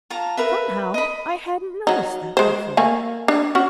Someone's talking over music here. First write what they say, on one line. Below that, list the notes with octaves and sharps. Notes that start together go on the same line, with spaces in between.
Somehow I hadn't noticed that before.
F4 A5 A#5
A#4 B4 E5
D#5 B5
F#3 D#4
G#3 C5
A3 A#3 G#5
D4
C#4 F#4